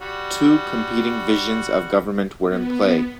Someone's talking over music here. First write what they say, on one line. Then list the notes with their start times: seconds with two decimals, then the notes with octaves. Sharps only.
Two competing visions of government were in play.
0.02 G3 F#4
2.44 B3